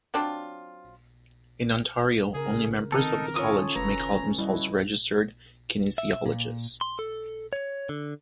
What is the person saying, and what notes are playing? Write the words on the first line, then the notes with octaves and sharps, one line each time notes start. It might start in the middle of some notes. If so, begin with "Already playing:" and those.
In Ontario only members of the college may call themselves a Registered Kinesiologist.
F#3 C4 D4 F4
C#3 G#4 A#4
D#3 C4 D#4 A4 A#4
C#4 F4 A4 C#5 D#6
F1 B4 A#5
G3 E4 F#4 D#5
E5
A#2
C6
A4
C#5
D3